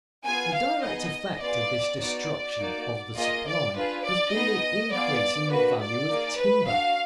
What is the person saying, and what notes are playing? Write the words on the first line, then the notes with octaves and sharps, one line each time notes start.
The direct effect of this destruction of the supply has been the increase in the value of timber.
B3 F4 G#4 G#5
F5
B3 D#4 G#4 D#5
B3 F4 G#4 D5
B3 D#4 F#4 D5
A#3 D#4 F#4
A#3 F4 G#4 D#5
D5
D4 F4 G#4 B4
D5
B3 D#4 G#4 D#5
B3 F4 G#4 D5
A#3 D4 F#4 B4
D5
A#3 D#4 G#4
B4
D4 F#4 F5